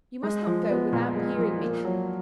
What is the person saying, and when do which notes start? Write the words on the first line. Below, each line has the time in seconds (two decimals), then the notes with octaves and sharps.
You must not go without hearing me.
0.23 G#3
0.47 F3
0.70 B3
0.93 A#2
1.16 G#3
1.38 F3
1.62 A#3
1.85 F#3